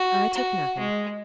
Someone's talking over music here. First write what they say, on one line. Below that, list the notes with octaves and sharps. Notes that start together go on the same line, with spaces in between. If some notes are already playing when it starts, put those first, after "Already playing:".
'I took nothing.
Already playing: F#4
F#4
G#3